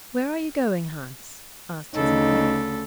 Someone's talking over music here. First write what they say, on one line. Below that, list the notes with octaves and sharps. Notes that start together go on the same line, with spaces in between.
'Where are you going, Hans?' asked his Mother.
D2 C#3 D#4 A4